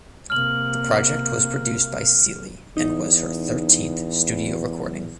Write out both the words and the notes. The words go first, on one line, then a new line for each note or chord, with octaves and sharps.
The project was produced by Seely and was her thirteenth studio recording.
C3 A#3 F6 F#7
E2 D#4